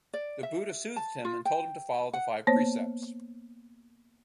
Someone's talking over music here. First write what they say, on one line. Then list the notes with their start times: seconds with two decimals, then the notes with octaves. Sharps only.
The buddha soothed him and told him to follow the Five precepts.
0.14 D5
0.43 E5
0.96 A5
1.25 F4
1.45 G5
2.13 F#5
2.47 A#3 B3 C5 C#5